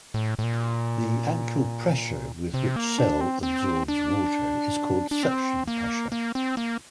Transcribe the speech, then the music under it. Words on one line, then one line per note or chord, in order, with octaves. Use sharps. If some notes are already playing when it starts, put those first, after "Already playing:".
The actual pressure with which cell absorbs water is called "suction pressure".
A2
A2
A#2
C3
A#3
D4
C4
C4
D4
D4
C4
A#3
A#3
C4
A#3